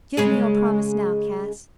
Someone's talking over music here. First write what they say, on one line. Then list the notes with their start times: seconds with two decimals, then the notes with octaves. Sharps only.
Give me your promise now, Cass.
0.17 C#3 G#3 G#4